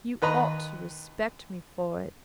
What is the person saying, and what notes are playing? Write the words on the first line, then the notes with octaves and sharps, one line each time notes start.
You ought to respect me for it.'
D#2 B4 D#5 A#5